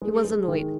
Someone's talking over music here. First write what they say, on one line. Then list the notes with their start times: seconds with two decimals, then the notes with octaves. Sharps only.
He was annoyed.
0.02 G#3
0.25 G#3
0.48 D#3